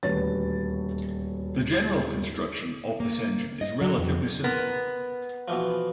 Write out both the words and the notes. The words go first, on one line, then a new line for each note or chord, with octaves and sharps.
The general construction of this engine is relatively simple.
D#1 D2 B4 C#5 A6
A#3
D#5
F#3
F2
B3 A#4
B2 E3 F3